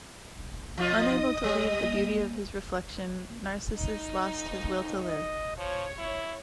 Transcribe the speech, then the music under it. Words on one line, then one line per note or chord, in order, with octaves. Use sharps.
Unable to leave the beauty of his reflection, Narcissus lost his will to live.
F3 F4 D#5 D#6
D#4
G3 C#5
A#3
D#4
F2
D#5
F3 C#5
E4